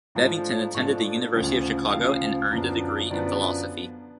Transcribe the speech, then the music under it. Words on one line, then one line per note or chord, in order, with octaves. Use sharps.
Bevington attended the University of Chicago and earned a degree in philosophy.
G#2 F3 A3 D4
G#2 F3 A3 D4 C#6
D2 C#3 F3
D2 C#3 F3 F5
F#2 D3 F3 B3 D4
F#2 D3 F3 B3 D4 D5